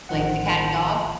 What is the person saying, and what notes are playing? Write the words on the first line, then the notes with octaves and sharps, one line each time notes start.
like the cat and dog,
A1 D#3 F3 F#5